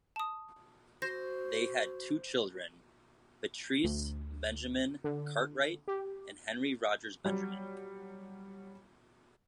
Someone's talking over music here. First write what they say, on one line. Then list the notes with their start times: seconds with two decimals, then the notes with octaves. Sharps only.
They had two children, Beatrice Benjamin Cartwright and Henry Rogers Benjamin.
0.16 A5 D#6
1.02 F#4 C5 A#6
3.84 D2
5.04 D3
5.88 G4
7.24 F#3 G3